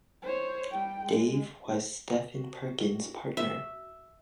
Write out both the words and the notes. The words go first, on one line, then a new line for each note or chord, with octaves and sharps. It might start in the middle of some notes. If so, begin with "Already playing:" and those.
Dave was Stephen Perkins partner.
C5 C#5
G3 G5
G#3
F#4
E5